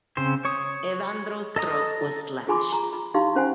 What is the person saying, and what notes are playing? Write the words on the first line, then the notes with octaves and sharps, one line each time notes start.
Evandro’s throat was slashed.
C#3 C4 C5
C#5 C#6 D#6
A4 D#5 A#5 D#6
F4 G#4 G#5 B5 C6 D6
A#5
B5
D#4 E4 G4 F5 C6
C#4 C5 F#5 G#5